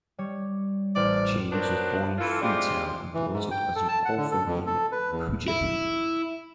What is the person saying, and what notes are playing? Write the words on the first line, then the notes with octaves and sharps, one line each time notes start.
James was born in Freetown and brought up as an orphan in Pujehun.
G3 C#5
A1 C5 D5 F6
F3 F#3 B3 D4 A#4 C5
E3 F4 A4
C3 G#3 D4 F4 G4
E3
G#2
G5
A4
A5
F#5
D3
A4
F2
A4
B4
E2
E4